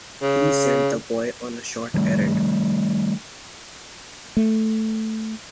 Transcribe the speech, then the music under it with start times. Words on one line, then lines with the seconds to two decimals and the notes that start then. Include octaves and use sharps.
He sent the boy on a short errand.
0.22 C#3
1.94 D#3 G3 A3
4.37 A3